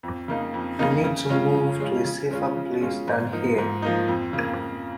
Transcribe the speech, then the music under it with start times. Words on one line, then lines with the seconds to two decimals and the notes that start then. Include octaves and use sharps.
We need to move to a safer place than here.
0.03 F2
0.28 C#3 A#3 D#4
0.54 F2
0.79 C#3 A#3 D#4
1.04 C#3
1.29 G#3 C#4 F4
1.55 C#3
1.80 G#3 C#4 F4
2.05 C#3
2.31 G#3 C#4 F4
2.57 C#3
2.81 G#3 C#4 F4
3.08 G#2
3.32 F3 A#3 D#4
3.58 G#2
3.82 F3 A#3 D#4
4.08 F2
4.33 C#3 A#3
4.59 F2